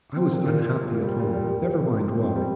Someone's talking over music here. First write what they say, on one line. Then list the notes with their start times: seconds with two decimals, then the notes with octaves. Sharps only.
I was unhappy at home--never mind why.
0.16 C4
0.31 A#2
0.46 A#2
0.60 A#2
0.74 A#2
0.89 A#2
1.03 G3
1.19 A#2
1.33 G3
1.48 G3
1.63 A#2
1.77 A#2
1.92 C4
2.06 C4
2.21 C4
2.36 G3